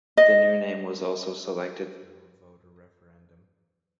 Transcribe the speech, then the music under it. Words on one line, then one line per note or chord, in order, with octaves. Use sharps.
The new name was also selected through a voter referendum.
D#5